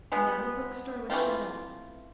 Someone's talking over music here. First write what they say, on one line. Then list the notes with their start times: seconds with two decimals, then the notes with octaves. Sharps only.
And now the bookstore was shut up.
0.12 F3 G#3 B3
1.10 E3 A3 C4 F4